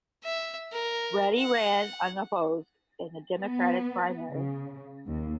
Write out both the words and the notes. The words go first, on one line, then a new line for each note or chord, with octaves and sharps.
Ready ran unopposed in the Democratic primary.
E5
A#4
F#5
B3
C#3
D#2